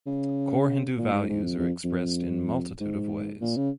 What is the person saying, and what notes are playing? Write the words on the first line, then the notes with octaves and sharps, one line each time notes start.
Core Hindu values are expressed in multitude of ways.
C#3
A#2
G#2
G#2
F2
F2
F2
G#2
A#2
C#3